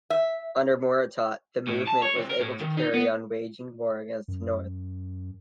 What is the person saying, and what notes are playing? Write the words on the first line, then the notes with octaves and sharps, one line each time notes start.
Under Muortat, the movement was able to carry on waging war against the North.
E5
A2
A5
C#5
C3
A#4
A2
D#3
D#4
B3
F#2